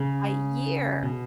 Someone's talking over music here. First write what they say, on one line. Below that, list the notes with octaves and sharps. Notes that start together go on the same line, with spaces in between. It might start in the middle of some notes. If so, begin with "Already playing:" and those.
A year.
Already playing: C#3
B2